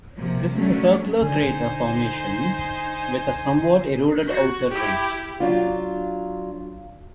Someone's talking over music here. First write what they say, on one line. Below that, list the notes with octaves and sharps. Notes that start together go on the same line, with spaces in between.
This is a circular crater formation with a somewhat eroded outer rim.
C3 F3 A#3
F#3 A3 C#4 D4
D3 D#4 C5 G#5
F#4
E4 G4
F#3 D4 F4